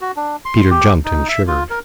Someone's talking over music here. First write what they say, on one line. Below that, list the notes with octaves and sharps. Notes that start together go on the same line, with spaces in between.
Peter jumped and shivered.
F#4
D4
C6
G4
D#4
E5
F4
A#4